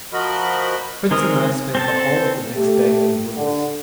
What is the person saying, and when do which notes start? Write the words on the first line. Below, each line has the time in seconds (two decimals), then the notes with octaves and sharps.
FRITZ and I spent the whole of the next day in the woods.
0.13 F3 F#4 A#4 D#5 B5
1.11 D#3 G#3 C4 A#4 D#6
1.75 C4 A4 A5
2.56 A3 G4
3.35 D3